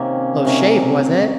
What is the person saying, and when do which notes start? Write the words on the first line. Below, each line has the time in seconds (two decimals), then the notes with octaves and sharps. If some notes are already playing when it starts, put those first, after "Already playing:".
"A close shave, was it?"
Already playing: C3 D#3 A#3 C#4
0.45 C3 D#3 A#3 C#4